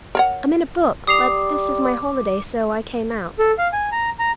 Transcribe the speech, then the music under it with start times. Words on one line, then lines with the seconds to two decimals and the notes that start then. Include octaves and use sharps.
I'm in a book, but this is my holiday, so I came out.
0.15 A#4 C#5 F#5
1.07 G3 D6 D#6 C7 F7
3.39 A4
3.58 F5
3.73 G#5
3.92 A#5
4.19 A#5